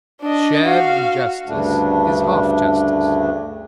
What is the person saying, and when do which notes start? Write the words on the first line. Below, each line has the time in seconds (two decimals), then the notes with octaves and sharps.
Shared injustice is half justice.
0.22 D4 D#5
0.64 F#4 F5
1.47 D2 G2 C#3 A3 D4